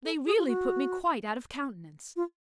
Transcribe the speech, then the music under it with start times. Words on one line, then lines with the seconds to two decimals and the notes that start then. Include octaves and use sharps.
They really put me quite out of countenance.
0.05 A4
0.26 G#4
0.38 F4
0.47 F#4
2.16 F4